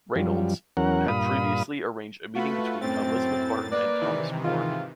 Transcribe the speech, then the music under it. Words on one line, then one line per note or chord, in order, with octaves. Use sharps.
Reynolds had previously arranged a meeting between Elizabeth Barton and Thomas More.
F#2 F3 G3
E2 F#3 C#4 A#4 F#5
G2 A#2 F5 B5 D#6
A3 F4 F#4 B4
F#2 A2 C4 A6
A#3 B4 D5
C3 D#3 E3
G#2 F4